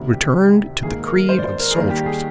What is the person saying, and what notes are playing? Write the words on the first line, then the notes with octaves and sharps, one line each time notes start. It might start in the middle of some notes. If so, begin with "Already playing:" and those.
He returned to the creed of soldiers.
Already playing: D2 C3 D#3
G4
G#2 D#3 A#3 G#4
A#4
C5
D5
C5
A#4
G#4
D#2 D#3 G3 A#3 A#4
G4
G#4